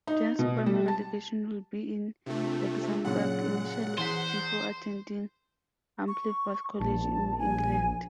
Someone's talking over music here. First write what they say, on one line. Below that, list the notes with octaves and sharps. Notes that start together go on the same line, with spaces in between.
Jean's primary education would be in Luxemboug initially before attending Ampleforth College in England.
D#4
B2
G3
A5
C3 A3 D4 F4 E5
F#2 A#2 C#3 G#4 F#5
E2 C5 B6
C#6
A#1 A5
G#5